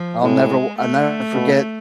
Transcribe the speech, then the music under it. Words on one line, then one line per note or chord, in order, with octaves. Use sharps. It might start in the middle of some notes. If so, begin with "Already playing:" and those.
I'll never w I'll never forget
Already playing: F3
A2 G#3
A3
B2